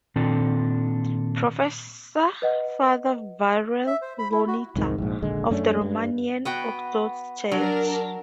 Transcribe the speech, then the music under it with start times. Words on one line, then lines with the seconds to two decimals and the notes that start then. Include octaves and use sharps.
Professor Father Viorel Ionita, of the Romanian Orthodox Church.
0.16 A#2 D#3 C4 D4 F4 A4
2.42 B4 D#5 F#5
3.87 E5
4.02 C5
4.18 B5
4.31 E4
4.47 F#4
4.76 C2 F2 G#2 D#3
4.98 A#1 G#2
5.22 D#1 A#1 D3 G#3
5.50 F#2 A3 C#4 D4
5.82 G2
6.45 B3 F#4 G5
7.52 F#3 D4 A#4